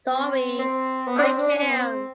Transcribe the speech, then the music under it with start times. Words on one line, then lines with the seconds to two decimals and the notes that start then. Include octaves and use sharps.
Sorry, I can’t.
0.12 C4
0.59 C4
1.08 B3
1.19 D4
1.23 C4
1.39 D4
1.55 D4
1.62 C4
1.70 B3
1.78 C4